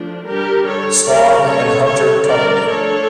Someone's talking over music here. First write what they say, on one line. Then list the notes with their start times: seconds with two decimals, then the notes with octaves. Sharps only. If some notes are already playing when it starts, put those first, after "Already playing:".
Swan and Hunter Company.
Already playing: F3 A3 D4
0.26 G3 D4 G4 A#4
0.66 A4 C#5
1.06 G3 A#3 C#4 A#4 D5
1.46 A4 C#5
1.86 D3 G3 C#4 A4 C#5
2.27 A#4 D5
2.67 F3 A3 D4 A4 C#5